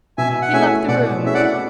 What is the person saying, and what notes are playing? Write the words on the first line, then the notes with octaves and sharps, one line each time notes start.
He left the room.
B2 E5 G#5
F#5
A3 C#4 E4 G#4 E5 G#5
B2 D5 F#5
A3 C#4 E4 G#4 E5
D5 F#5